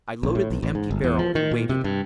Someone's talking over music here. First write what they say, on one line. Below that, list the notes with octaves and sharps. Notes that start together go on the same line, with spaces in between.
I loaded the empty barrel and waited.
A#1
A2
B1
A1
G#2
G1
E2
F3
D#3
A#2
C3
G2